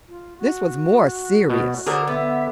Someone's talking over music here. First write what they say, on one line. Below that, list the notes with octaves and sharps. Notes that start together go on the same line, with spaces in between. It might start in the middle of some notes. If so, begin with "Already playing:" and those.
This was more serious.
F4
F#4
B2
D3 G#4 A#4 C5
B3 E5